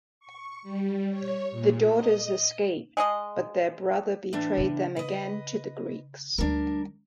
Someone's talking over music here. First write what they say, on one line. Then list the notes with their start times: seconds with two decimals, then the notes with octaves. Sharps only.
The daughters escaped, but their brother betrayed them again to the Greeks.
0.20 C#6
0.62 G3
1.10 C#5
1.51 A#2
1.91 D#5
2.97 G#3 G#4 D#5
4.33 A2 E3 D4
4.58 C#3 B3
4.96 B4 D#5
6.38 D2 G3 D4 A#4